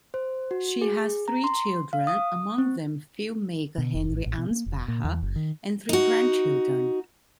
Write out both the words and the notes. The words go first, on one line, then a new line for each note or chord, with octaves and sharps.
She has three children, among them filmmaker Henry Ansbacher, and three grandchildren.
C5
F#4
G#4
A#5
C6
F5
D#6
C4
B2
F1
A1
A1
B2
A#3
F1
A#2
E2
F#1
D#3
D#4 F#4